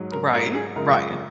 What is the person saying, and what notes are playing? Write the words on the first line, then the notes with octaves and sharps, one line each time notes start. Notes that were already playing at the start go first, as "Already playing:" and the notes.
Right, right.
Already playing: G#2 F#3
A#4
G#2 F#3 A#4
G#4
F#2 C#3 F3 G#3 A#4